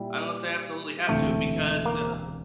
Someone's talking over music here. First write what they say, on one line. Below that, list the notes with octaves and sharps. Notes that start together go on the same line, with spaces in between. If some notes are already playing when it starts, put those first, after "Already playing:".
unless I absolutely have to, because, uh
Already playing: A#2 G3 E4
E1 D2 C3 E3 A3
A#3